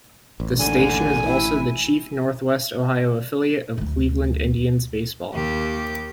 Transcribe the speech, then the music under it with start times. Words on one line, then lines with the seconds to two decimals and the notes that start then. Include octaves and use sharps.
The station is also the chief Northwest Ohio affiliate of Cleveland Indians baseball.
0.40 A1
0.59 D#2 D3 G#5
1.24 E4
3.78 D2 A3
5.34 D#2 G4